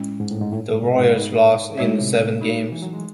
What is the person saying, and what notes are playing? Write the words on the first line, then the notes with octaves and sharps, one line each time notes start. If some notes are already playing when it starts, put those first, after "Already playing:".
The Warriors lost in seven games.
Already playing: A2 G#3 C#4 E4
G#2
A2
G#2
A2 D#4 A4 C#5
G#2
C3
G#2
A3 D#4 G#4
A2 G#3 D#4 F#4 C#5 E5
A2
C3
A3 D#4 F#4 C#5
E3
F#3
G#3